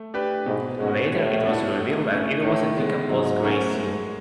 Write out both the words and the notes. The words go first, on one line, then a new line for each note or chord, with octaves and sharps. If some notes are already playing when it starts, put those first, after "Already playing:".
Later it was revealed that it was a decomposed grey seal.
Already playing: A3
D4 G4 B4
G#2 B2
G#2 G#3 C#4 F#4
A2 G3
B3 D4 F#4 A4
A3
C#4 E4
A2 D#3
G#3 B3
G#2 F#3
A3 C#4 F#4 A#4
G#3